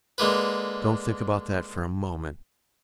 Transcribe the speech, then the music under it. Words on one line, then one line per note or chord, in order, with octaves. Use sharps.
Don't think about that for a moment.
D3 G#3 A#3 B4